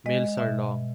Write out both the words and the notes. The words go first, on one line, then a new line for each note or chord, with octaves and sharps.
Males are long.
G#3 D#5
B2 E5